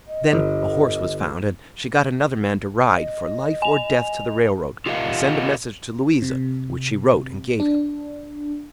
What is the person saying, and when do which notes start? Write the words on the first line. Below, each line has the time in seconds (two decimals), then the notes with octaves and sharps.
Then a horse was found; and she got another man to ride for life or death to the railroad, and send a message to Louisa, which she wrote and gave him.
0.07 D#5
0.33 G1
2.93 D#5
3.62 G#5 F7
4.86 F4 G4 A#4 D#5 F5 F#5
6.22 C3
7.60 D4